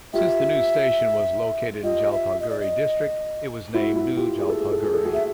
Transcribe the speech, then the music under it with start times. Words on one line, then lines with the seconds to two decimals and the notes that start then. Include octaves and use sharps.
Since the new station was located in Jalpaiguri district, it was named New Jalpaiguri.
0.13 F4 G4 E5
1.83 F4 G4 D#5
2.12 E5
2.40 D#5
2.50 D5
2.60 D#5
3.74 E4 F#4
3.95 E4 F#4
4.17 F4 G4
4.38 G#4
4.49 A4
4.61 G#4
4.72 A4
4.83 G#4
4.94 A4
5.05 F#4 G#4
5.14 E5